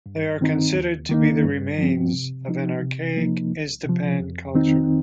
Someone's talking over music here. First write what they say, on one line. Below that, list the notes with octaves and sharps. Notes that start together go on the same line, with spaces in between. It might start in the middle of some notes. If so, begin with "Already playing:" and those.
They are considered to be the remains of an archaic Iztapan culture.
G2
D#3 C4 D#4
D#2
D#3 A#3 D#4
G2
F3 C4
C3
F3 D#4
C3
F3 A#3 D#4
C2
C3 F3
F2
D#3 C4 D#4